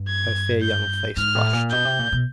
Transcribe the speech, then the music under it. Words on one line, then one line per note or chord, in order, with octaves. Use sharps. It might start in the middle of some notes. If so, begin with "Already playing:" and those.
Her fair young face flushed.
Already playing: G2
G#6
G6
G#2 F6
A2
A#2
B2 G6
C3
A#2
B2